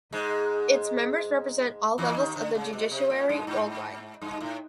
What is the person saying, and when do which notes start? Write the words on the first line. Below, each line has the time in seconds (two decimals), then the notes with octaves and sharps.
Its members represent all levels of the judiciary worldwide.
0.12 G#2 G#3
1.98 E2 E3
2.17 D#2 D#3
2.36 D3
2.55 C#3
2.73 B2
2.91 C3
3.10 A#2
3.29 G2
3.47 G#2
4.22 G2
4.41 A2